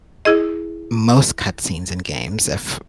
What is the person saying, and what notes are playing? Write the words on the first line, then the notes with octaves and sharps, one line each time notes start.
Most cut scenes in games, if
E4 G#4 D#5